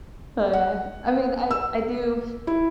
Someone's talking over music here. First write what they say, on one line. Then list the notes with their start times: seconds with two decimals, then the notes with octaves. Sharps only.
oh yeah. I mean, I I do
0.53 F#5
1.51 E6
2.47 E4